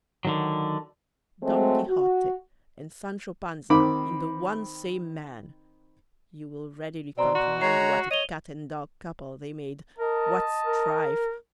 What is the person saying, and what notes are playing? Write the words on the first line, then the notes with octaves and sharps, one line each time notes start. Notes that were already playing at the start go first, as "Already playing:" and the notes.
Don Quixote and Sancho Panza in the one same man! you will readily comprehend what a cat-and-dog couple they made! what strife!
D3 D#3 F#3
F#3 G#3 A3 C4
F#4
D#3 C4 B5 D6
B2 C4 D5 A#5 C6
B2 F#4
G#3 C#5 A#5 C7
C#5 D#5 D#7 F7 G7
A#4 D#5 A5
A#4